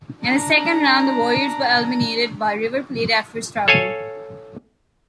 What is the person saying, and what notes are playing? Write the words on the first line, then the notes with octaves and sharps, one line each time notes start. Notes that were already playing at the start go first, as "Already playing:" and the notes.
In the second round, the Warriors were eliminated by River Plate after a struggle.
D4 A#5
A4 C#5 F5 G#5